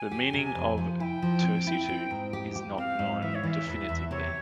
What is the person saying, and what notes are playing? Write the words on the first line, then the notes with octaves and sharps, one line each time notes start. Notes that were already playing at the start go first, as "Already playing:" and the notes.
The meaning of "tersitu" is not known definitively.
Already playing: G#5
G4
C3
F2
F3
E4 G5 G#5
F3
C4
E4
C4
G#2
G4
G4
C4 F5
G#2
E3 E5
C#5
E3 F5
E5
E2
E2
C3 C#5